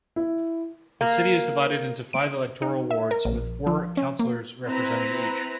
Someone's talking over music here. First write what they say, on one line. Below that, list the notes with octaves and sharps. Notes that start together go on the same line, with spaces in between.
The city is divided into five electoral wards, with four councillors representing each.
E4
A#3
D7
D#4
E5
A#4
A#1
F3
C#4
A#3
C4 E4 B4 A#5